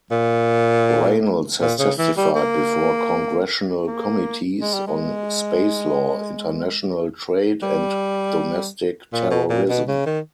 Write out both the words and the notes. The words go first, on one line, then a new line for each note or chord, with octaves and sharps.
Reynolds has testified before Congressional committees on space law, international trade, and domestic terrorism.
A#2
A#2
C#3
E3
G3
A#3
A#3
G#3
G3
G#3
G3
A#2
B2
A#2
B2
C#3
D#3